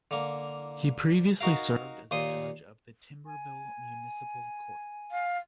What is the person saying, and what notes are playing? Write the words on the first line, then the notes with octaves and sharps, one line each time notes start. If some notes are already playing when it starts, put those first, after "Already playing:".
He previously served as a judge of the Timberville Municipal Court.
D3 A#3
D#4 F#4 A#4 F5
D#2 A#2 C6 D#6
G#5
F5